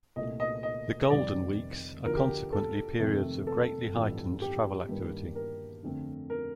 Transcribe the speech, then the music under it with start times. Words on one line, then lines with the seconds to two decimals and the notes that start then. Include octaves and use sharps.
The Golden Weeks are consequently periods of greatly heightened travel activity.
0.16 C2 A#2 A3 D#5
0.40 D#5
0.63 D#5
1.10 F1 F2 D#3 G3 D5
2.05 D2 D3 F3 A#4
2.17 G4
2.53 A4
2.99 F2 C3 D#3 A3 C4
3.47 A4
3.94 A1 G2 F3 C4
4.42 G4
4.89 G2 D#3 G3 A#3
5.35 A#4
5.83 F2 D3 A3 C4
6.30 A#4